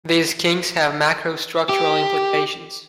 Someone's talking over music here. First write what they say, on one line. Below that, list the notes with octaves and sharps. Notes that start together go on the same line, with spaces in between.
These kinks have macro-structural implications.
G4